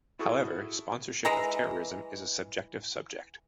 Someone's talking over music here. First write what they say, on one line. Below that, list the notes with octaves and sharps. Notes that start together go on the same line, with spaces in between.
However, sponsorship of terrorism is a subjective subject.
E4 F#4 G#4 A4 C#6 D#6
E3 G#3 A#5